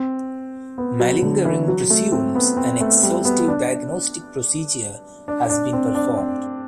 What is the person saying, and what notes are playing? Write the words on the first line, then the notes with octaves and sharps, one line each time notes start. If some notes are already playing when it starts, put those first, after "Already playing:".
Malingering presumes an exhaustive diagnostic procedure has been performed.
Already playing: C4
B3
F#3
D3
E3
F#3
A3
C4
B3
C4
A3
G3
B3
D4
D4
D4
C4
D4
C4